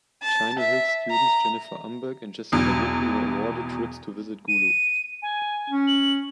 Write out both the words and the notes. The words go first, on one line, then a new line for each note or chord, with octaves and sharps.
Chino Hills students Jennifer Umberg and Jessica Witten were awarded trips to visit Gulu.
A5
E5
A#5
G#1 E2 B2 F#3
D#7
G#5
C#4
F#7